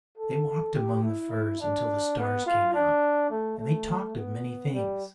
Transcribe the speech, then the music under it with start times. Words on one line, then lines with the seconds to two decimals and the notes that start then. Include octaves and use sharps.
They walked among the firs until the stars came out, and they talked of many things.
0.18 A4
0.75 G4
1.03 E4
1.31 E4
1.60 D4
2.18 B3
2.46 F4
2.74 D4
3.30 A3
3.58 A3
4.15 B3
4.73 G3